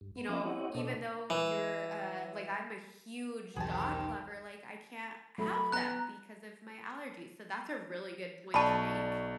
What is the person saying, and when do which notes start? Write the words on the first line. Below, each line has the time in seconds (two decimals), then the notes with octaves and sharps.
you know, even though you're, uh like I'm a huge dog lover, like, I can't have them because of my allergies. So that's a really good point to make.
0.01 G2
0.16 B3
0.29 F3 A#3 C#4 D#5 E5 D6
0.45 C4 E4 G4 C#5 D#5 F#5
0.75 B2 D4 A4 C5 D#5
1.30 E3
3.56 B1 E2 D#3 F#3 C4 G4 G#4 A5
5.38 F#3 A3 A4 B5
5.72 B3 A#5 F#6
8.54 B1 D5 A5 B5 C#6